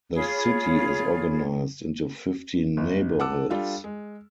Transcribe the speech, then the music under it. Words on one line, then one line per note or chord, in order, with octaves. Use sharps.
The city is organized into fifteen neighbourhoods.
F4 G#4 C#5 B5
F#1
F#5 A5 D6 E6
G3 D4 F4 A4
G#3